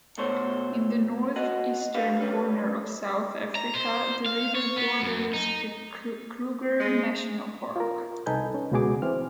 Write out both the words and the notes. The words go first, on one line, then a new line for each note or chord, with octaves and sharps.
In the north-eastern corner of South Africa the river borders the Kruger National Park.
B2 A3 C5 C#5
F#4 D#5 F#5
C4 G4 B4 F5
G3 C#4 B4
A#5
C5
F5
C#5
B3
F#2
D#4
G#3
F4 A#4
C2 D#4 A4 B4 G#5 G6
C#4
C#2 B2 B3 F#4 G#4 D6
E3 C4 F6